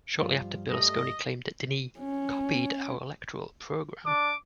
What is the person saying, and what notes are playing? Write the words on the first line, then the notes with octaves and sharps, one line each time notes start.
Shortly after Berlusconi claimed that Dini "copied our electoral programme".
G2 F3 F4
G2 G3 A3 D#5
C#4
D4 D6